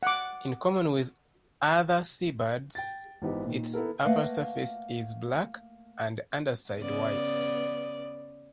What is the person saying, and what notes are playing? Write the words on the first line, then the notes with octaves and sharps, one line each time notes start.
In common with other seabirds, its upper surface is black and underside white.
F#5 D6
G5 A6
G#1 E3 B3 D#4 G4
A#2 D#3
B3 E4 A4 A#4
A3 A#3 B4 D#5 F5 F#5
C#3 B3 D5